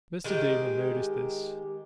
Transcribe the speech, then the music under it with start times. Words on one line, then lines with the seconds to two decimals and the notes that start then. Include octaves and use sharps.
Mr. Damon noticed this.
0.24 D#3 G#3 G4